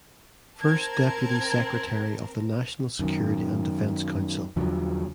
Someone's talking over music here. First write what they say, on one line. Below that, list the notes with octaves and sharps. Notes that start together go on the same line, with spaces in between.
First Deputy Secretary of the National Security and Defense Council.
C4 A#4 A5 G#6
F#2 D#3
E2 D3 F3 F#3